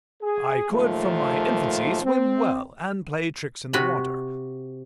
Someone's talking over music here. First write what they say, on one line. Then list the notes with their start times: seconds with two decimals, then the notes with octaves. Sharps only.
I could, from my infancy, swim well, and play tricks in the water.
0.22 G#4
0.71 D#2 A#2 F3 A3
2.03 C4
3.73 C3 F#4 B5